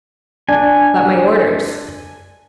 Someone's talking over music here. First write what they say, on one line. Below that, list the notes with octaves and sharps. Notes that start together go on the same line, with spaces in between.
"But my orders."
D4 G#5